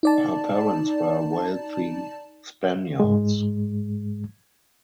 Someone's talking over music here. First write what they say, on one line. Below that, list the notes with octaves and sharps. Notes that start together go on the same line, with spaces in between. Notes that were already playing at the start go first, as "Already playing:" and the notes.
Her parents were wealthy Spaniards.
D#4 D5 A5
G#2 G#3